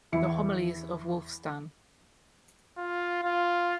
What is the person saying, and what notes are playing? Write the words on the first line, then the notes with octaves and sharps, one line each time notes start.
The Homilies of Wulfstan.
E2 E4 C#7
F4
F4